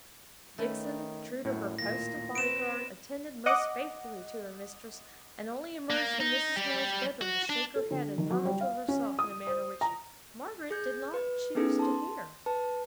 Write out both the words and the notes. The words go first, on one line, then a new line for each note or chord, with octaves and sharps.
Dixon, true to her post of body-guard, attended most faithfully to her mistress, and only emerged from Mrs. Hale's bed-room to shake her head, and murmur to herself in a manner which Margaret did not choose to hear.
D#3 A3 C#4 B4
F#2 A2
D#2 A#2 A#3 A#6
C4 B4 D7 E7
D#5 F#5 D6
A#3
D#4
G3 G4
F#4
D4
A4
D3
D#3
F#3
G3
F5
C#4
D#6
C5
A#5
G#4 G6 G#6
B4
B3 C#4 D#4 G#4 A4 B4
A5 C6
B4 A5